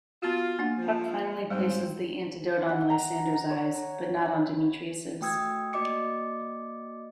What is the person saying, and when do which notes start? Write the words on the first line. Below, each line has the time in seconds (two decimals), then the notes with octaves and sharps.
Puck finally places the antidote on Lysander's eyes - but not on Demetrius's.
0.22 B3 F4 F#4
0.59 A#3 D4 F#5
0.78 F3
1.50 G#2 G3 G#3 C4
2.69 F#5
2.90 A#5
3.34 A#4
3.50 C#5
4.26 B5
5.21 A3 F#4 G5 D#6 E6 G#6
5.73 A#3 F#4 D5 D#5 D6 C#7